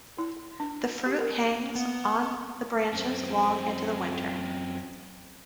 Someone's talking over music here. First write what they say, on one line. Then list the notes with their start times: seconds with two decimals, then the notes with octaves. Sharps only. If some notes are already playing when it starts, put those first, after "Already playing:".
The fruit hangs on the branches long into the winter.
0.18 E4
0.60 D4
1.06 G4
1.20 A#4
1.75 B3
2.93 F#2 C4